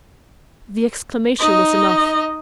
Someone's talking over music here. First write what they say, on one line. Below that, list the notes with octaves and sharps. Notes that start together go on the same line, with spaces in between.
The exclamation was enough.
D#4 D#5